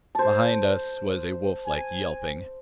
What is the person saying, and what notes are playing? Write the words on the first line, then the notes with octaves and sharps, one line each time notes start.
Behind us was a wolflike yelping.
C5 A5
G#5